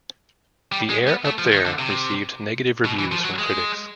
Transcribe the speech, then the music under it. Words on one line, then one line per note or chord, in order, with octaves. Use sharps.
"The Air Up There" received negative reviews from critics.
G3
G#3
B3
A3
F3
D#3
D3
C3
B2
E3
F3
F#3
G#3